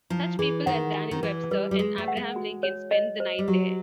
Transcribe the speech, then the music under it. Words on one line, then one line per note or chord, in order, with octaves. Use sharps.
Such people as Daniel Webster and Abraham Lincoln spent the night there.
F3 E4
E3 G#4
D#3 F#5
G4
D#3
E3 B4
G3 B4
G3
G#3 G#4
A3
F#5
G#3
F#4
C#5
D#5
C5
G3
F#3 G4